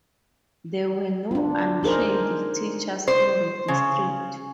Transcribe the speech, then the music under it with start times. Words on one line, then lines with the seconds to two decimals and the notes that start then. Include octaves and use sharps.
There were no untrained teachers in the district.
1.31 D4 F4
1.83 D#4 G#4 A#4 C5
3.08 C5
3.68 C#3